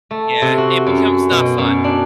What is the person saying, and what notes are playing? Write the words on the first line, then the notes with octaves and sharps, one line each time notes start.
Yeah. It becomes not fun.
A3
C3
F#4
F#2
B2
F#2
D4